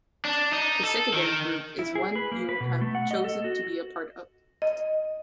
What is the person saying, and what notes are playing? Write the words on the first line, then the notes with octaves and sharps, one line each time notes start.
A secondary group is one you have chosen to be a part of.
D4
D#4
A4
D#3
E4
G#4
B4
A#3
B4
B2
A3
F#5
D#5
A4
F#4
D#5